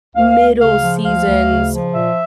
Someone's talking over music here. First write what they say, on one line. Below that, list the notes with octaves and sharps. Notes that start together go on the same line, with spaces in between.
middle seasons
D2 F5
D2
C#3 F5
F3
D2 F5
D2
C#3
F3
A#2 E5